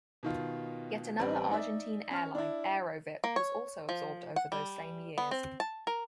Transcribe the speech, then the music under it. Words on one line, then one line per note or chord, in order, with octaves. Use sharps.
Yet another Argentine airline, Aerovip, was also absorbed over those same years.
B2 D#3 F4
A1 G3 C4 B4
D#4 D5 E5
C#4 F6
D4 E4
A#3
C#5
F3
F#5
G3
B3
C4
A5
A#4